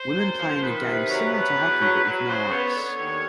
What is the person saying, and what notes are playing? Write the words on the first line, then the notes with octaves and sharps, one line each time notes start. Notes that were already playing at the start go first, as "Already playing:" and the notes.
Women playing a game similar to hockey, but with no ice.
Already playing: C5
F#2
F3
D#3 B4
C3
F#3
B2 B4
E2
F#3
F#3 B4
C#3 C5
B3 C#5
D3
D#2